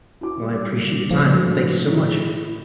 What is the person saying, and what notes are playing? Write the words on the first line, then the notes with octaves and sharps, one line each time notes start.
Well, I appreciate your time. Thank you so much.
E4 F#4 D6
G3 A#3
A2 F3
F#3 G#3 D4 F#4
D#4 E4 G#4